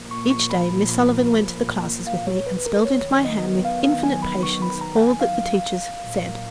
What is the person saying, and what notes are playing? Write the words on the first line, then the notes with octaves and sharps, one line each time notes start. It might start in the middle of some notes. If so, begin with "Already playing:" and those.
Each day Miss Sullivan went to the classes with me and spelled into my hand with infinite patience all that the teachers said.
Already playing: A#2 F3 A#3
C#6
C#6
B5
F5
C#5
B4
B4
A#4
B4
D#3 F#3 B3 C#5
D#5
F5
F5
G#5
B5
C#6
B5
A#5
F#5
G#5
F5
A#2 F#3 A#3